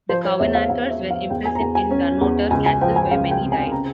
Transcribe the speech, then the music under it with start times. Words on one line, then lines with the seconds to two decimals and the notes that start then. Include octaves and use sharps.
The Covenanters were imprisoned in Dunnottar Castle, where many died.
0.09 F3 C5
0.25 C#5
0.40 E2 E5
0.55 F5
0.70 E2 F5
0.90 E5
1.00 F3
1.11 F5
1.30 E2 G5
1.45 G#5
1.55 A#5
1.60 E2 G#5
1.75 G#5
1.91 C#4
2.21 E2
2.51 C#2 G#5
2.66 G#5
2.81 F3 G5
2.96 G#5
3.11 C#2 F5
3.31 G5
3.42 C3
3.52 G#5
3.72 C#3 A#5